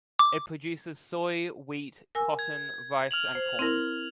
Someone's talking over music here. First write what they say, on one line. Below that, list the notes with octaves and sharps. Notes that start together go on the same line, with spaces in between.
It produces soy, wheat, cotton, rice and corn.
D6
A#4 G#5 E6
G#6
F6 F7 F#7
C5
C4 E4 A#4